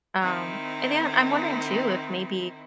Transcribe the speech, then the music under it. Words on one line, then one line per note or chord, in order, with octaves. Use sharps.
Um, and then I'm wondering too if maybe
D#3 C4 D#4 E4